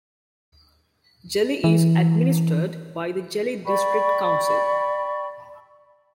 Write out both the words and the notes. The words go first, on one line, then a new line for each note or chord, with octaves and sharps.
Jeli is administered by the Jeli District Council.
E3
D5 G5 B5 C#6